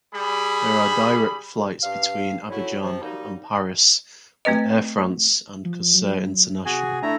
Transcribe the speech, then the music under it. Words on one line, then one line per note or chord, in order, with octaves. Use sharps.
There are direct fights between Abidjan and Paris with Air France and Corsair International.
G3 G#4 B5
G2 F5
F#3 A3 C#4 D#4 E4
C3 F3
F#3 G3 A#3 D#4
A3 C4 B4 D#5
F3
F#3
C3 F#4 G#4 G#5
A3 D4 E4 A#5